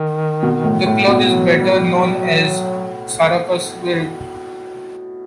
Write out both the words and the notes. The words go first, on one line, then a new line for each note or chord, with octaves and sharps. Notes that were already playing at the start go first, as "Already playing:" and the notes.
The club is better known as Sakaryaspor.
Already playing: D#3
B2
A2
A2
B2
F#3
G3
G3
F#3